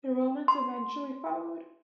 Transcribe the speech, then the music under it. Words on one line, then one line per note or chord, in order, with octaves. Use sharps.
The Romans eventually followed.
C6